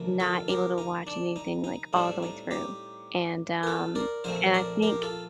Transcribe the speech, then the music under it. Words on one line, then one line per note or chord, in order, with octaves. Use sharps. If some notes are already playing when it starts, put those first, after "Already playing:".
not able to watch anything, like, all the way through. And, um, and I think
Already playing: D2 C3 F3 A#3
F4 A4
G4 A#4
D#4
D4
D#4
D#4
A2 G3 C4 D4
D#4
D#4 G4
A#4
F4 A4
A#4 D5
A#1 A#2 A3 C4 C5 D#5
A#4 D5
G4 A#4
F4 A4